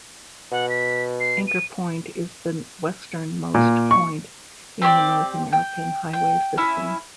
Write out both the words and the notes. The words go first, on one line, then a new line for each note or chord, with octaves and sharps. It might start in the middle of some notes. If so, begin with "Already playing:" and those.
Anchor Point is the westernmost point in the North American highway system.
B2 F#5
B6
C7
D#7
A#2
C#6
C4 G4 C#5 D5
G5
G5
C#4 E4